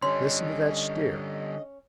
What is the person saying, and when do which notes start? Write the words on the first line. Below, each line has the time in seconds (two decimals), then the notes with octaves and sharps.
"Listen to that steer."
0.02 D3 G3 C#4 D#5 C6